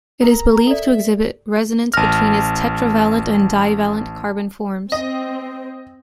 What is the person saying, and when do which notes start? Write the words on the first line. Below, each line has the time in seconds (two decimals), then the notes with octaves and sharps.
It is believed to exhibit resonance between its tetravalent and divalent carbon forms.
0.22 A#4 B4 A#5
0.67 A4 D5 E5
1.94 A1 A5 F6 A#6
4.92 C4 D#5